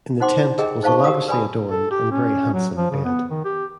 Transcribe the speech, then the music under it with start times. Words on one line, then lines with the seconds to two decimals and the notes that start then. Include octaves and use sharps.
In the tent was a lavishly-adorned and very handsome bed.
0.20 D#4 C5 F#5 C6 D6
0.39 E4
0.58 G4 G#4 A#4 D#5 G5
0.83 D#4 C5 F5 A5 C#6
1.04 F#4 G4 A#4 F5 D#6
1.28 B4 D5 G#5 B5 D#6
1.70 A4
1.91 G4
2.11 C#4
2.54 F#3
2.77 F3
2.91 C#3
3.05 B3
3.30 D#3
3.45 G4